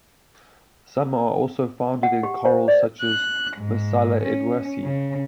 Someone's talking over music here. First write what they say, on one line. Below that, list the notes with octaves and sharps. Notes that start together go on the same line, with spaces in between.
Some are also found in corals such as Maasella edwardsi.
F#5
G4
C5
D5
F#6
G#2
C#4
C#3